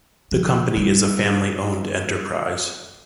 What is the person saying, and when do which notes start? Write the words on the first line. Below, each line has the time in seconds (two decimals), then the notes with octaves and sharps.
The company is a family-owned enterprise.
0.32 F3
0.76 G3